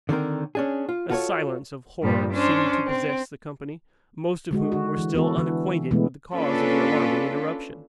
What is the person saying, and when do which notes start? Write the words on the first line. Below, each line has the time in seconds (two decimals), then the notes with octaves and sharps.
A silence of horror seemed to possess the company, most of whom were still unacquainted with the cause of the alarming interruption.
0.09 D3 D#3 C4 A#4
0.55 C#4 D4 G#4
0.89 F4
1.10 F4 F#4 A4 B4 C#5
2.02 G2 A#2 F3 G3
2.33 C#4 D4 C5
2.86 C4
4.51 D3 G#3 F#4
4.72 F#4
4.97 E3
5.14 E3 B3 F#4 A4
5.37 D3 E3
5.91 B2 E3 G#3 A3 B3
6.33 A#3 C#4 D4 F4 A4 B4